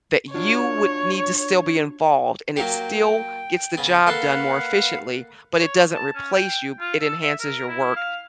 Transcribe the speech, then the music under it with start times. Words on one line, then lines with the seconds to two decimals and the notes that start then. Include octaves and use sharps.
that you would need to still be involved and it still gets the job done more efficiently, but it doesn't replace you, b it enhances your work
0.34 D4 F4 F#4 C#5
2.57 F#3 A#3 G4 G5
3.77 C#3 B3
4.07 A#3 A4 B4 F5 F#5 C6
5.58 C#5
5.94 A5
6.15 C#4
6.33 G5
6.80 F4
7.01 A4
7.22 E5
7.40 A#4
7.68 E4
7.96 F5